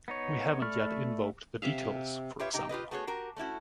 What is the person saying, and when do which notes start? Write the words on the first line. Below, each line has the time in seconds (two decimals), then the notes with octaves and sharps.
We haven’t yet invoked the details, for example...
0.08 B3 D#4 C#5
0.62 A3 D5 B5 C#6 F6
1.62 C3 E5 F5
2.39 F4 G4 B4 C#5 E5
2.53 C3 D#4 G4
2.69 F4 G4 B4 D#5
2.91 A3 B3 F#4 G#4 C#5
3.07 F#4 G4 A#4
3.36 A3 C#4 E4 F#4